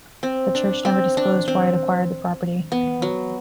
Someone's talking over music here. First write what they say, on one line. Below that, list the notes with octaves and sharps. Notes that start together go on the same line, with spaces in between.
The church never disclosed why it acquired the property.
C4
D4
C4
D4
C4
B3
F#3